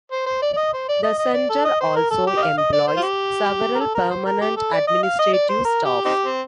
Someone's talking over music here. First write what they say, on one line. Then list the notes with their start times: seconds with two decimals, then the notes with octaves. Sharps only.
The Centre also employs several permanent administrative staff.
0.12 C5
0.26 C5
0.42 D5
0.53 D5
0.57 D#5
0.73 C5
0.89 D5
1.03 D#5
1.18 D#5
1.34 D5
1.50 A4
1.65 D#5
1.81 C5
1.96 A#4
2.11 A4
2.27 G4
2.37 D#5
2.42 F5
2.58 D#5
2.73 D5
2.88 C5
2.97 F4
3.03 G4
3.75 A#4
3.80 A4
3.95 A#4
4.11 C5
4.26 A#4
4.41 G4
4.57 A4
4.73 D5
4.88 D#5
5.03 F5
5.19 D#5
5.33 D5
5.49 C5
5.65 A#4
5.85 G4
6.05 C4 D#4 G4
6.25 C4